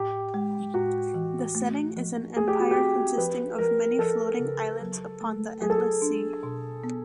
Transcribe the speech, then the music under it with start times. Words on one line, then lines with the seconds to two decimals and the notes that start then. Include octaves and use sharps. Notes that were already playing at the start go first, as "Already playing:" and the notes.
The setting is an empire consisting of many floating islands upon the Endless Sea.
Already playing: A2 G4
0.34 G#3
0.74 A2 F#4
1.14 E3
1.55 A3
1.96 F3
2.37 A3 G#4
2.48 G4
2.59 F#4
2.71 G4
2.77 C4
3.17 F3 B4
3.58 F3 A#4
3.98 F3 A4
4.39 C#3
4.80 F#3
5.21 A3
5.61 F#3 G#4
5.70 A4
5.78 G#4
6.02 D4
6.43 B2
6.84 B3